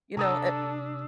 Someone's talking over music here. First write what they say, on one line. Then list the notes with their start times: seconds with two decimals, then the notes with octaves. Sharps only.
You know, it
0.17 C3 D4 A4 A#5 D#6 E6